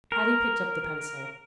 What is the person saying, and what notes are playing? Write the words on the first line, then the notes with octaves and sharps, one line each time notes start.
Patty picked up the pencil.
A#4